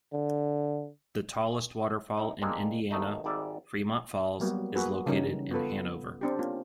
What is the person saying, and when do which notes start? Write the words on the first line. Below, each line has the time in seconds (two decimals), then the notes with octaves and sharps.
The tallest waterfall in Indiana, Fremont Falls, is located in Hanover.
0.13 D3
2.17 D#4 E4
2.41 G#3 A#3 C4 D4
2.91 D#2 B2 A3 D#4
3.24 G#1 G#2 G3 D5 E5
4.40 F#3 G3 A#3 B3 F#4
4.75 A#3 F#4 G#4 B4
5.06 C#3 E3 G3 C#4 D#4 A#4
5.51 B3 F4 A4 B4
6.21 C4 D4 G4
6.39 A#3 C#4 F4